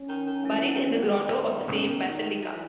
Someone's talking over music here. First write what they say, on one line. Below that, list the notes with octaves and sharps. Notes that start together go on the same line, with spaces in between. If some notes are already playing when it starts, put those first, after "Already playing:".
Buried in the grotto of the same basilica.
Already playing: C#4
D#3
D#3
E3
F#3
D#3
E3
D#3 B3
C#4
D#4
F#3
E3